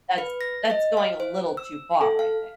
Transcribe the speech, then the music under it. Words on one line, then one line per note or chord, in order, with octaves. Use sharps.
that's that's going a little too far, I think.
B4
A#6
D#5
F5
C5
E6
A4
F5